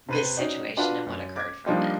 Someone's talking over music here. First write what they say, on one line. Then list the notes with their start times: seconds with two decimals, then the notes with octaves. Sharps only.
this situation and what occurred from it.
0.09 C3 B4 D#7
0.37 C#4 D#4 F#4 D5
0.77 D4 F4 F#4 B4 F#5 A5
1.07 F#2
1.36 D6 G#6
1.66 F3 G3 A#3 D4 D#4 F4